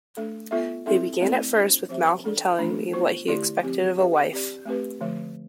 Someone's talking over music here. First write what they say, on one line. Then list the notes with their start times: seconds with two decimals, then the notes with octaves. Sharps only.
They began at first with Malcolm telling me what he expected of a wife.
0.17 A3 D4 A4
0.51 B3 F4 A4 E5
0.86 C4 E4 A4 E5
1.21 A3 C4 E4 A4 D5
1.55 D4 F4 C5
1.89 F3 C4 G4 C5 E5
2.24 D4 A4 D5
2.58 E3 A3 D4
2.93 B3 F4 C5
3.28 D3 A3 E4 G4 D5
3.63 F3 C4 G4
3.97 D4 G4 B4 E5
4.32 C4 G4 D5
4.65 A3 C4 G4 B4
5.01 D3 F3 A3